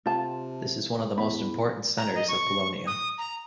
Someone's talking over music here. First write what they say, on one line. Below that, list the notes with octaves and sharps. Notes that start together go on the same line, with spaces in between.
This is one of the most important centers of Polonia.
C3 F4 A5
E2 B5
A#5
D#5
C#6
D#6
A#5